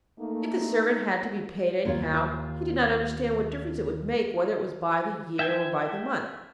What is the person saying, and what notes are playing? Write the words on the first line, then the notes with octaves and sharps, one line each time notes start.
If the servant had to be paid anyhow, he did not understand what difference it could make whether it was by the year or by the month.
A3 A#3 D#4
D#2 F4 C#5 F5
E5 G5 G#5